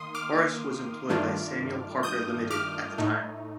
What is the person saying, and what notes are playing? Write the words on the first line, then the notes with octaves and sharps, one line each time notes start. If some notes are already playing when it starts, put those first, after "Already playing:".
Horace was employed by Samuel Parker Ltd at the time.
Already playing: D#3 A#3 C6 D#6
D6 F6
G2 D#3 A3 D4 F4
D#6 G6
D6 F6
A2 A3 D#4